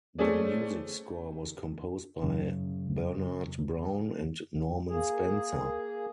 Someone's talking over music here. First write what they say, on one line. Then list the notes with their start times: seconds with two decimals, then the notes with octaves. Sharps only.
The music score was composed by Bernard Brown and Norman Spencer.
0.18 A3 C4 C#4 G#4 D5
2.23 F#2 C#3
4.89 A#3 G#4